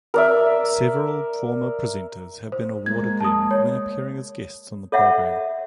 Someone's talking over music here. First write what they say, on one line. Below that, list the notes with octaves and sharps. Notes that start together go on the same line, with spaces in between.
Several former presenters have been awarded them when appearing as guests on the programme.
A#4 D5 E5
C5
G#3 A#3 G#6
A5 D#6
C#5
A4 C#5 E5 F#5